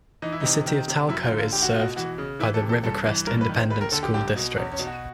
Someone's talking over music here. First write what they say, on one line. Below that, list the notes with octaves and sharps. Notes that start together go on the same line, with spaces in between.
The City of Talco is served by the Rivercrest Independent School District.
E3 D#4
E4
C3 D#4
D#3
C3
F#2 E4
F4
D3
F4
C#2 G4
F#4
B2 F4
F#4
E3 F#4
C#3
E3 E4
A4
C3
A4
G2 A4
E3
G2 A#4
B4
D#3
C5
D#2 B4
A#4
D3 A4
G4
C2 G4
B2
E2 C#4
C#4
B2
F#4